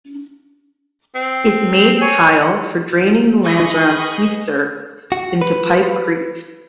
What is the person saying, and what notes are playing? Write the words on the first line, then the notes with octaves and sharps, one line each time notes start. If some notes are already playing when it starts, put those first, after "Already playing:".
It made tile for draining the lands around Sweetser into Pipe Creek.
C4
C#5 G#5
G#4 B4 D#5 C#6 D#6
F#4
B4